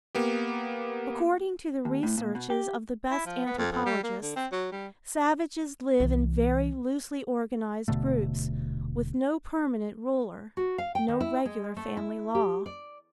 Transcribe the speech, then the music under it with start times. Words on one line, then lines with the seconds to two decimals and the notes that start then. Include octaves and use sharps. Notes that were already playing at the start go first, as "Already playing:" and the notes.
According to the researches of the best anthropologists, savages live in very loosely organized groups, with no permanent ruler, no regular family law.
0.15 A#3 B3 G4
1.85 D#2
2.03 A2
2.18 A#2
2.35 B2
2.50 G4
3.11 E4
3.26 F3
3.46 B3
3.58 F2
3.72 F2
3.86 G3
4.03 A#3
4.22 D3
4.36 C4
4.52 F#3
4.72 G3
6.00 C2 E3
7.88 D#1 B2 D3 A3
10.57 F#4
10.78 F5
10.95 G5
11.08 D#3
11.21 E4
11.45 G#3
11.77 A3
11.97 E4
12.35 G4
12.66 D5